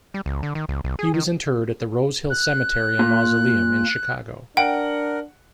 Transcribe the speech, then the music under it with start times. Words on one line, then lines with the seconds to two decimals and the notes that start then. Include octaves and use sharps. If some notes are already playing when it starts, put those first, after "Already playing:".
He was interred at the Rosehill Cemetery and Mausoleum in Chicago.
0.14 G3
0.26 C#2
0.43 D3
0.55 D#3
0.69 C#2
0.84 C2
0.99 G#4
1.14 D#3
2.30 F#6
2.99 A#2
4.57 D4 A#4 F#5 G5